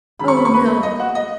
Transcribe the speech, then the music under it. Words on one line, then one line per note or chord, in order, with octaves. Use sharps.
"Oh, no!"
F#2 D#3 G#3 B5
C#6
B5
C#6
B4 B5
D#5
F#4 F#5
D#5